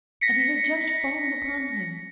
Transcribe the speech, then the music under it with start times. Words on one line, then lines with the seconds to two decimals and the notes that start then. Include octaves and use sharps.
And it had just fallen upon him.
0.21 A#6 B6 C#7